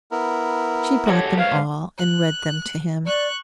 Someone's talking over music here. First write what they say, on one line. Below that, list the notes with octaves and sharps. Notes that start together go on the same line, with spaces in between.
She brought them all, and read them to him.
B3 E4 A#4
F#4 G4 A4 C#5
G#2 B4 C#5 F5
F#6
D5 C#6 F#6